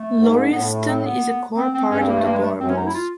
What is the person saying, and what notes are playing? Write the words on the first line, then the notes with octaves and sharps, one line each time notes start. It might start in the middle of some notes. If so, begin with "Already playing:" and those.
Laurieston is a core part of the Gorbals.
Already playing: A3
G#2
A2 B3
C4
C4
B3
C4
C4
C4
G2 C#4
C4
A#3
A3
A#3
G#3
A3
F#2 C4
C#4
D#4
E4
F4